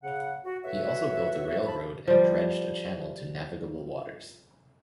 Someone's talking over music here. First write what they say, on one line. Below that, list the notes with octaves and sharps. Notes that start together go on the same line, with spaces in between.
He also built a railroad and dredged a channel to navigable waters.
C#3 F#5
F#4
A3 F#4 B4 C#5 E5
C3 F3 A4 C5 A5 B5
F3 G3